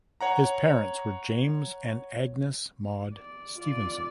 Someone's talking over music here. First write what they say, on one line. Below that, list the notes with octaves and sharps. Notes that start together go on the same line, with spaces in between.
His parents were James and Agnes Maud Stephenson.
C#5 F#5 A#5
D5
F4 D5